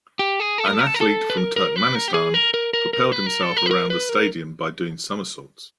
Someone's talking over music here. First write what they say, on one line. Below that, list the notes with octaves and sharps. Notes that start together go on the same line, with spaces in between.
An athlete from Turkmenistan propelled himself around the stadium by doing somersaults.
G4
G#4
A4
A#4
A4
A#4
A4
A#4
A4
B4
A#4
A#4
B4
A#4
G4
G#4
A#4
A#4
A#4
A#4
B4
A#4
A4
A#4
B4
A#4
B4
A#4